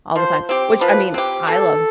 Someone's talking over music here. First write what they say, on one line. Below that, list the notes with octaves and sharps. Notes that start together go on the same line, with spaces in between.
all the time," which, I mean, I love
F3 C5
C4 G4
F3 B4
C4 G4
B2 A4